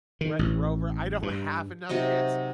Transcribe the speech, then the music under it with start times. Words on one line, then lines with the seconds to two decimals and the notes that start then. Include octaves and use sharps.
Red Rover, I don't have enough kids
0.21 D#3
0.39 A1
1.23 G2
1.89 C3 F#3 D#4 D#5